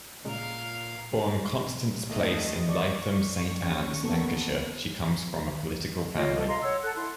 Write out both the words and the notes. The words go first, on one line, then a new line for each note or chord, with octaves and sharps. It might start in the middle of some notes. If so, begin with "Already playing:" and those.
Born Constance Place in Lytham Saint Annes, Lancashire, she comes from a political family.
A#2 C#3 G#3 A#4 F5
D#2 A3 D#5
D5 C#6
C#4
A#3 B3 A4
F4 C#5 D#5
A4
D#5 F5 A#5 C6
C#5 F#5 E6
A4 F#5 A5 F#6
E4 C6